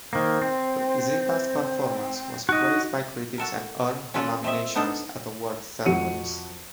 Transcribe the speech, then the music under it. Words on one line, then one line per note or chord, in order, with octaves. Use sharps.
Zinta's performance was praised by critics and earned her nominations at award ceremonies.
D#3 A#3 C5
C4
D#4 F#4 D#5
F#4 A4 A#4
C#4 F4 A4 B4 D5
A3 C4 D#5 E5
B3 D4 D#4 A4 A#4
F2 F#4 C#7 D#7